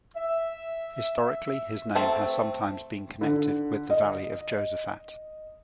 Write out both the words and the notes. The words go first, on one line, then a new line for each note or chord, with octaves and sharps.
Historically, his name has sometimes been connected with the Valley of Josaphat.
E5
A3 C4
D3
D#5